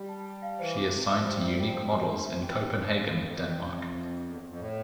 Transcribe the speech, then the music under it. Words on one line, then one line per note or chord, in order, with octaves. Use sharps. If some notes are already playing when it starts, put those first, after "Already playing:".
She is signed to Unique Models in Copenhagen, Denmark.
Already playing: G3
A5
A5
F5
E3 C5
C3 D6
C3 G4
D3
E3 E5
F3
G3 C5
F4
A3
G3 G5
F3
G5
G3
G4
A3
D4
G3
F3 E5
E3
G5
E3
B4
B4
F5
A2 B5
G2
F2 A4
G5
A5
F5
E5
D4
E2 F4
F2
A4
F2
A2 A4